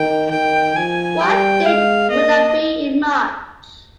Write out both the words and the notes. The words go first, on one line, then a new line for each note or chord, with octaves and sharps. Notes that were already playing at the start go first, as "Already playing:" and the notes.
What date would that be in March?
Already playing: D#3 G5
D#3 G5
F3 G#5
G3 G5
G#3 F5
A#3 D#5